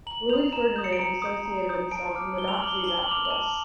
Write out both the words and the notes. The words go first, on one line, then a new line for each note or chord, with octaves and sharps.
Louis Ferdinand dissociated himself from the Nazis after this.
A#5 F#7
D#6 G6 F7
A#5 E7
D#6 G6
C#7
D7
A#5 C#7
D#6 G6
A#5
D#6 G6
A5 D7
D6 F6
A5 G7
F7
F#7
D6 F6 G7
F#7
A5 G7
F#7
D6 F6 F7
F#7
A5